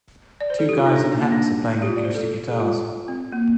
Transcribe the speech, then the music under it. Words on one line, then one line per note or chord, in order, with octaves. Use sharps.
Two guys in hats are playing acoustic guitars.
D5
C5
A4
G4
F4
D#4
D4
A#3
D4
G4
F4
D5
C5
A4
A4
G4
F4
C4
A#3